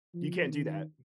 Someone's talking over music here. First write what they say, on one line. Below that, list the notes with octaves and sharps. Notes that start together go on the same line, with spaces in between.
You can't do that.
F3
D#3